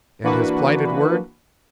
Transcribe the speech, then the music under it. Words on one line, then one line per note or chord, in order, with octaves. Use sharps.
And his plighted word?
E3 A#3 D4 F#4 B4